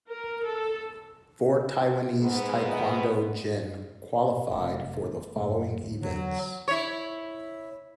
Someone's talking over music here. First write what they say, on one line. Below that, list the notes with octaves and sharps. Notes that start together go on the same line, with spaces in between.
Four Taiwanese taekwondo jin qualified for the following events.
A#4
A4
G#2 G#3 B3
F1 A3
F#2 A#2 A3
D2
E2 D3 F#3
E4 C#5